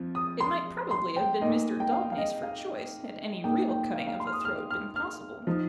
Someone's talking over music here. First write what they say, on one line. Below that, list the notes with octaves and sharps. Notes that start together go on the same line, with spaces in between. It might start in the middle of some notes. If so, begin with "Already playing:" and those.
It might probably have been Mr. Daubeny's for choice, had any real cutting of a throat been possible.
Already playing: F2 F3
D#6
C6
C6
G5
A#2 A#3 D#4 D#5
G5
F5
F5
D#5
F5
A#2 A#3 D#4 G5
G5
F5
F5
C6
F6
D#6
F6
F6
F6
F3 D#4